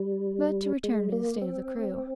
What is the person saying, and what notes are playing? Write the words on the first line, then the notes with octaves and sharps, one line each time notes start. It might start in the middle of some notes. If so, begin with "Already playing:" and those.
But to return to the state of the crew.
Already playing: G3
G#3
A#3
C4